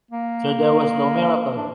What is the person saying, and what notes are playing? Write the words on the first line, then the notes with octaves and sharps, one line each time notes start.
So there was no miracle?
A#3
D4